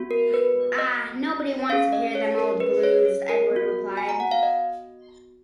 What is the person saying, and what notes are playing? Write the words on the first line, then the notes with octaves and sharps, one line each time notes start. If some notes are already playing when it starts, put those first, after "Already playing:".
"Ah, nobody wants to hear them old blues," Edward replied.
Already playing: B3 F#4
A#4
B4
D#5
C#4 G#4 F5
D#5
C#5
A#4
B4
C#5
C#5
A#4
B3 F#4
G#5
A#5
F#5
F5
D#5